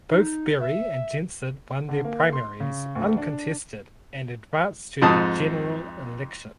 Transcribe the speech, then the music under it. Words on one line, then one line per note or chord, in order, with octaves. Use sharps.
Both Berry and Jensen won their primaries uncontested and advanced to the general election.
D#4
E5
D3
A#3
C6
C#3
D2
D4
F2 G#2 A5 D#6